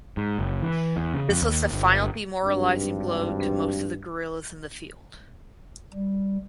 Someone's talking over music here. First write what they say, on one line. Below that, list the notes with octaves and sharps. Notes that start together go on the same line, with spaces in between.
This was the final demoralizing blow to most of the guerrillas in the field.
G#2
F#1
E3
E2
C#3
F2
D#2
G1
G#1 G2
G3